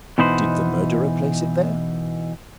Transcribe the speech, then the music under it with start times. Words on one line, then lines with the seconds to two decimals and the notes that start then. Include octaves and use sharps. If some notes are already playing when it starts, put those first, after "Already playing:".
Did the murderer place it there?
0.18 B2 E3 B3 D#4 B4 C5